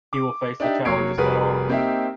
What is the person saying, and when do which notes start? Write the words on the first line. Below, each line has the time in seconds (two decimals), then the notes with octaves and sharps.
We will face the challenges head-on.
0.13 D6
0.60 D4 D#4 G4 E5
0.85 F1 F#3 A#3 C#5 C7 D7
1.17 F1 G3 F#4 G#4 A#4 B4
1.69 A#3 C4 D#4 G4 E5